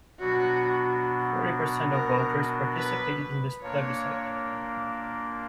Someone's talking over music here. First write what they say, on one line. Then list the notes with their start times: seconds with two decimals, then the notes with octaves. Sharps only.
Forty percent of voters participated in the plebiscite.
0.19 B2 F#3 B3 D4 F#4
1.91 A#4
2.76 B4
3.62 A#2 A#3 D4 C#5